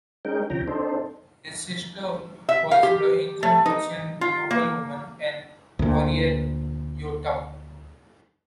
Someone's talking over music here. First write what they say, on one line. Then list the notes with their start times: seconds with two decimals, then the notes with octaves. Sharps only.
His sister was the ancient Persian noblewoman and warrior Youtab.
0.25 G#3 C#4 D#4 A#4 G5
0.50 D2 C3 F3 C#4 G5 A#5
0.68 C4 D4 D#4 A4 C5
2.49 E5
2.71 F5
2.83 G4
3.43 A3
3.66 D#4
4.21 F4
4.51 A#3
5.79 D2 A#2